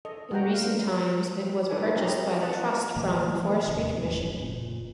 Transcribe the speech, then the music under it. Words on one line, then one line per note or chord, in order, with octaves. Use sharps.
In recent times it was purchased by the Trust from the Forestry Commission.
A4 D#5
G3 F#4 F#5 G5 A#5
F5
G3 D#4 A4 B4 D5 G#5
G3 C4 G4 G#4 A#4 A#5
A4 D#5 F#5 A5
A2 E3 A3 A#3
D#3 F3 A3 A#3
E1 D#2 A2 C3
F#2 A2
F#1 A#2